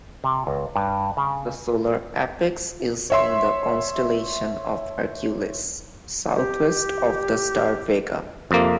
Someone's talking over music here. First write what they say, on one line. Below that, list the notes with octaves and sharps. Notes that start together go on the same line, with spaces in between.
The solar apex is in the constellation of Hercules, southwest of the star Vega.
C3
C#2
G2
C#3
C#5 E5 C6
G4
F2 C3 A#3